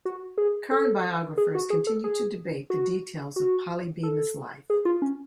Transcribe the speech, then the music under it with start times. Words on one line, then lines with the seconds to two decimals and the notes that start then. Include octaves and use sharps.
Current biographers continue to debate the details of Polly Bemis' life.
0.05 F#4
0.38 G#4
0.71 A4
1.38 G#4
1.55 F#4
1.70 G#4
1.87 A4
2.04 G#4
2.70 F#4
3.36 F#4
4.03 A4
4.70 G#4
4.85 F4
5.02 C#4